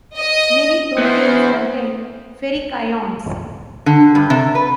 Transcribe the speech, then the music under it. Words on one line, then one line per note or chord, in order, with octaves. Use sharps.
Many proteins contain ferric ions.
D#5 D#6
B3 E4 C5
D3
G2
C3
B4